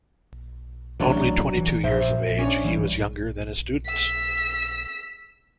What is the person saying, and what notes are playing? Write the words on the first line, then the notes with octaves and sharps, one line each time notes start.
Only twenty-two years of age, he was younger than his students.
A1 F#3 C#4 D4
E3
A#1 C5 E5
C#4 D4 C#5
E3 G3
E6 B6